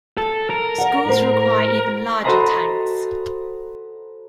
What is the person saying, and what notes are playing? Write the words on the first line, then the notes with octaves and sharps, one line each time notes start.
Schools require even larger tanks.
A4
A#4
D5 F#5
A2 C5
F#4 A4 C5 D#5 A#5 B5